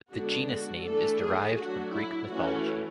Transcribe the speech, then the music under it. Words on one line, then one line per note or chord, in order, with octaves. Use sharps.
The genus name is derived from Greek mythology.
D3 G#3 B3 D4 F#4
F#4
E3 A3 D4 A4
G#4
F#3 A3 D4 F#4
E4
E3 A3 C#4 F#4